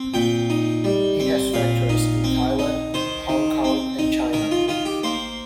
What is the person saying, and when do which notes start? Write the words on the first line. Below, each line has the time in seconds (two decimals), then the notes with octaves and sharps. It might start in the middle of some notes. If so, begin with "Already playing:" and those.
He has factories in Thailand, Hong Kong and China.
Already playing: C4
0.14 A#2 G5
0.50 D#4
0.84 G3
1.20 C4
1.54 A#2 F5
1.89 D#4
2.24 C4
2.59 D#4
2.94 D#3 C5
3.29 D#3
3.64 C4
3.99 D#4
4.33 D#3 A#4
4.51 F4
4.68 D#3 F4
4.85 G4
5.03 A#3 C5